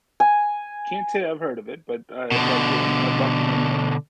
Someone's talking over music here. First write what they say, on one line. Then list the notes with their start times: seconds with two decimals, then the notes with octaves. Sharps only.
can't say I've heard of it, but I'd love to I'd love to know more.
0.20 G#5
2.32 B2 D3